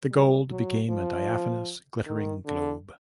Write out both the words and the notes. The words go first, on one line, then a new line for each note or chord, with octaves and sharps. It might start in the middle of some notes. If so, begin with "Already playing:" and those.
The gold became a diaphanous, glittering globe.
G3
F#3
F3
D#3
D3